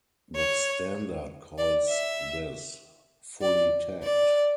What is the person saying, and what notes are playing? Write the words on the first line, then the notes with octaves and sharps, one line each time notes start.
The standard calls this "fully tagged".
C#5
D5
E5
D5
D5